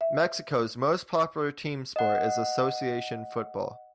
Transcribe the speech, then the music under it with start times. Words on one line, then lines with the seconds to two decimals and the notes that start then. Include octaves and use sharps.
Mexico's most popular team sport is association football.
0.01 E5
1.96 D#5 F#5